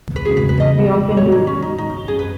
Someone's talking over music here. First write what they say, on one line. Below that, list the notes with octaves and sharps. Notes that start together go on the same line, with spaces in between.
We often do.
B4
G#2 G#3 C#4 F#4 G#4
B4
B4
D#5
G#2 D#3 B3 C#5
D#4
C#4
D#4
D#4
F#2 F#3 C#4 G#4
B4